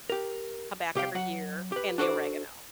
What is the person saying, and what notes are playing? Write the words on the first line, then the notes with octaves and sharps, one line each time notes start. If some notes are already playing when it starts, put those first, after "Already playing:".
come back every year, and the oregano,
G4 A#4
C2 G4 F5 G5
F#3 F#5
G4 B4
D4 F#4 A4 C5 D5